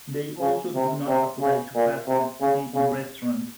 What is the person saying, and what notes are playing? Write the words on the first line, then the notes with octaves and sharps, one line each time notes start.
They also do not apply to pastas made in restaurants.
C#3
C3
C3
C#3
A#2
C3
C#3
C#3